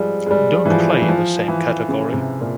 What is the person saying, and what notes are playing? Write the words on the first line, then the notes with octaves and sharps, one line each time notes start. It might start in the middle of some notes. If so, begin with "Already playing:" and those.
Don’t play in the same category.
Already playing: F3 G3 G#3
G#3
G3
E3
F3
E3
F3
E3
C#3
C3
A#2